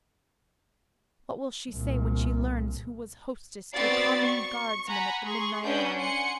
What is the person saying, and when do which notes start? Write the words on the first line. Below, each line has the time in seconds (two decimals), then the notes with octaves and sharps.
What will she say when she learns who was hostess to a common guardsman at the midnight hour?
1.72 C2 A#2
3.74 B3 C4 F#4 D5 A6 C7
4.26 C#6
4.87 F#5 G#5 A#5 B5
5.25 G#4 C6 C#6
5.63 C#4 D4 B4 F#5 G6
5.98 F#5 G#5 C6 C#7